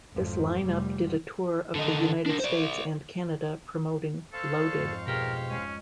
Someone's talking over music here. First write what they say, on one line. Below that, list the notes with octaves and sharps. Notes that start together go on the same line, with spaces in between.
This line-up did a tour of the United States and Canada promoting "Loaded".
G#1 F2
F1 G3
D3 D#4
D4 A#4
C5 D5
A4 C5 F5 C#6 E6 G#6
C#5 D5
F2 G#2
B2 G4 G#4 A#4
G#3 C#4 D7